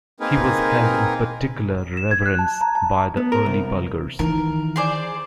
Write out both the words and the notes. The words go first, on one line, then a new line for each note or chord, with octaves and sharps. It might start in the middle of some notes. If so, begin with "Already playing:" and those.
He was held in particular reverence by the early Bulgars.
A#3 C4 D#4 G#4 A#4 B4
E7
G#6
F#6
A5
A#5
A5
B3
A#4
C2
D#3 E3 A#4
G#4 C5 D5